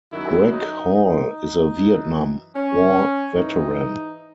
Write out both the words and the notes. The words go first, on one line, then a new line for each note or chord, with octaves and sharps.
Greg Hall is a Vietnam war veteran.
F#2 D#3 F#3 E4
D#4
D#4
F#2 E3
C#4
G#2 E3 D#4